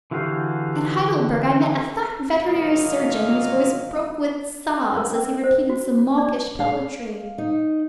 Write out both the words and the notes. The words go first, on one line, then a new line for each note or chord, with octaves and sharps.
At Heidelberg I met a fat veterinary surgeon whose voice broke with sobs as he repeated some mawkish poetry.
D3 E3 F#4 G4 F5
G#1 D2 A#2 F#3 D#5 F5
C#4
A#4
C#4
C5
F#4
D5
F5
D#4